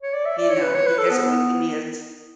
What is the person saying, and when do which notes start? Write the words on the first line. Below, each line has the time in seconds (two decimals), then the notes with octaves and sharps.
you know, he doesn't look at me as
0.02 C#5
0.13 D5
0.26 E5
0.38 D5
0.50 C#5
0.62 B4
0.75 C#5
0.86 B4
0.98 A4
1.10 B3